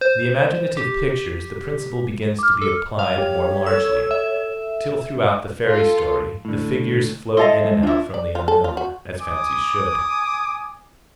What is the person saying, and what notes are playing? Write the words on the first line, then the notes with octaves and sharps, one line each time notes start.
In the imaginative pictures the principle begins to be applied more largely, till throughout the fairy story the figures float in and out from the unknown, as fancies should.
C5 G6
G4
D6 F6
A4
C#5 F5
G4 G5
A4 E6
E5
F4 A4
A2 D3
E4 A4 D#5 F5 C6
G#3
D4 E4 F4
D5
F4
A4
F4
F#4
G#5 D6 D#6